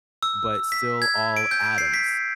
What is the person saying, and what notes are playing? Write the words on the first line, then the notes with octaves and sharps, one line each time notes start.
but still all atoms.
E6
B6
G#6
D7
G6
C7
B6